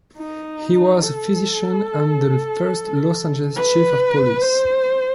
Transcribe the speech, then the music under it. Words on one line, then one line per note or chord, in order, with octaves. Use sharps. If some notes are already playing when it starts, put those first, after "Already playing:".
He was a physician and the first Los Angeles Chief of Police.
D#4
A4
B4
C5